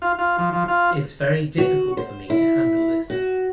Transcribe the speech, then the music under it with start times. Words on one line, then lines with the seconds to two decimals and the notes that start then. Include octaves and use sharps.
It's very difficult for me to handle this.
0.02 F4
0.19 F4
0.38 F3
0.53 F3
0.68 F4
1.58 F#4
1.97 C5
2.30 E4
3.10 F#4